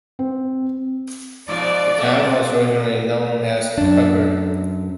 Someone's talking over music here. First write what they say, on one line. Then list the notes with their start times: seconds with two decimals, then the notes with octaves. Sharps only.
The town was originally known as Cover.
0.19 C4
1.48 G#2 B2 F3 D5
1.98 A#2 A3
3.78 F#2 D4